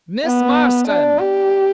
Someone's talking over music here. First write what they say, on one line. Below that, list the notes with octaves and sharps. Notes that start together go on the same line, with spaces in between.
"Miss Marston!"
B3
D4
G4